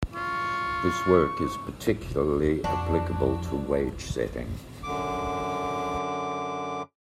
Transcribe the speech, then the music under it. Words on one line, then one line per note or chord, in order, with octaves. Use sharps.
This work is particularly applicable to wage setting.
F4 C#6
F2 D4 F#4
F#2 D3 D6